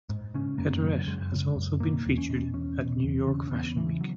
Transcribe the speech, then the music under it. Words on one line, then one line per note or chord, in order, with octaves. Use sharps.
Heatherette has also been featured at New York Fashion Week.
G#2
C#3 C#4
F#2 A#3
C#3 F#3
F#2 G#3
C#3
F#2
B2 A#3
E2
C#4
B2
E2 C#4
B2
E2
C#3 C#4
C#4
E2 B3
C#3 E3
F#3